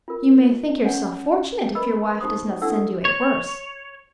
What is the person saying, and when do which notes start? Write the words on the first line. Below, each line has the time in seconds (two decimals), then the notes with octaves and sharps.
"You may think yourself fortunate if your wife does not send you a worse."
0.08 F4 A#4
0.84 C#4 C#5 F#5 G#5
1.75 A#4 B4 D#5 B5 E6
2.20 D#4 G4 C5 C6 D#6
2.62 D4 E4 G4 A4 F#5 E6
3.05 C#5